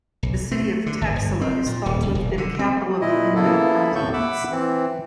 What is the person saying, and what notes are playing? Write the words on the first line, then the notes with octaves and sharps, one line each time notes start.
The city of Taxila is thought to have been a capital of the Indo-Parthians.
B1
A3
D3
G#1
G1
C4
A#2
D#1
C#2
E1
D3
C4
A#2 E4 D#5
C#3 A#3 B3 E4 A4
D#2 A2 A4 C#6 G6
E5 F#5 B5 D6 E6
E3 C4